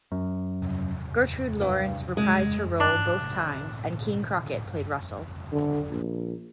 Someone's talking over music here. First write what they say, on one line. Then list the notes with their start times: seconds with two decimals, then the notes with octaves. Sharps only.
Gertrude Lawrence reprised her role both times and Keene Crockett played Russell.
0.12 F#2
1.61 G2
2.17 G#3
2.80 D4
5.52 D3
5.91 A#1